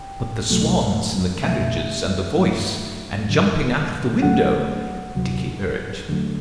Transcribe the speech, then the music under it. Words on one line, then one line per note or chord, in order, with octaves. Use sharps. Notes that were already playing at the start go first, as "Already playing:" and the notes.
"But the swans and the carriages and the voice--and jumping out of the window..." Dickie urged.
Already playing: G5
C2 B2 F#3 A3
C2 B2 A3 E5
G2 F#3 A3
F#2 D3 F#3
E2 D3 F#3 A3 F#5
D2 C3 F#3
E2 D3 F#3 A3